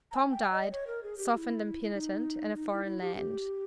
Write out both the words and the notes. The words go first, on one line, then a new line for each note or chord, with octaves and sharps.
Tom died, softened and penitent, in a foreign land.
A#5
G#5
G5
D#5
C#5
A#4
G#4
G4
G4
E4
E4
D#4
D#4
E4
E4
G4
G4